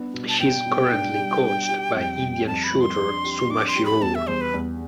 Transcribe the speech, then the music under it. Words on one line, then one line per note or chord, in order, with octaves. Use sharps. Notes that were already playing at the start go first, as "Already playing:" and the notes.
She is currently coached by Indian shooter Suma Shirur.
Already playing: B3 D4
B2
A5
B2 G5
B2
D4
G3
D4
G4
F2
F2
F2 A5
B5
F2
C6
D4
G4
D4 D6
C6
G4
B5
E2 A5
E5
E2 C5
B4
E2